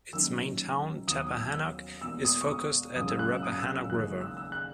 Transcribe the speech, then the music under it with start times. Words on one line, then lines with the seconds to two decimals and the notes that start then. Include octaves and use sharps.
Its main town, Tappahanock, is focused at the Rappahanock River.
0.13 F#2 D#3 A#3 E6
1.07 D#2 D#3 F#3 B3 D#6
1.22 D#6
1.39 E6
1.54 E6
2.01 E1 E2 B2 A#3 E6
2.25 D#6
2.41 C#6
2.49 D#6
2.96 F#1 F#2 E3 G#3 D#6
3.08 E6
3.19 F#6
3.30 E6
3.43 D#6
3.59 E6
3.74 E6
3.89 F#1 E2 D#3 G#3 F#6
4.21 E6
4.37 E6
4.52 F#6